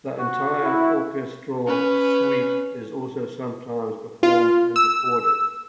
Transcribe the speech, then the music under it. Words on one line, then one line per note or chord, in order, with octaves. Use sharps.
The entire orchestral suite is also sometimes performed and recorded.
F#4
E4
C#4 B4
F4
E6